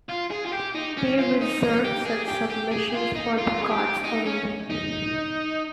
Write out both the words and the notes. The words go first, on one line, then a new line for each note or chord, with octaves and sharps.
They reserved such submissions for the gods only.
F4
G#4
F4
G4
D#4
C#4
F4
D#4
D#4
G4
G#4
G4
G4
G#4
F4
D#4
F4
G#4
G4
D#4
C#4
D#4